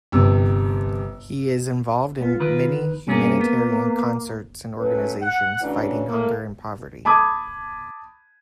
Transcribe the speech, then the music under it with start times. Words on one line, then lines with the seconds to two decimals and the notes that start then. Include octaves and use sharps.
He is involved in many humanitarian concerts and organizations fighting hunger and poverty.
0.12 G1 C3 E6
2.21 B3 F4
2.40 D#3 B4
3.08 G2 A#3 C#4 G#4
3.41 B3
4.79 F#3 A3 C#4 B4
5.21 F#5
5.61 A2 C#3 E3 F#3 C#4 D4
6.08 A2 A#3
7.05 A5 B5 D6 D#6 G#6